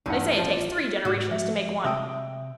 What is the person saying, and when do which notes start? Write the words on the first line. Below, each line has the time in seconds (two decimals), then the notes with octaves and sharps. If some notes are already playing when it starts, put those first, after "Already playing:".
They say it takes three generations to make one.
0.06 A1 E2 G2 D#4 F#5
0.37 F3 F4
0.50 D5
1.05 G#2 F#4
1.31 F3 G#3 E5
1.85 C3 E5 G5 D#6 E6